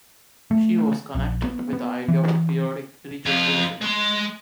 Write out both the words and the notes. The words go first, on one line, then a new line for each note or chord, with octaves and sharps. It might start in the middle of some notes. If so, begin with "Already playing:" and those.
She was connected with the idea of a periodic regeneration.
A3
A#1
B3
B3
E3
F2 F4
G#3 C6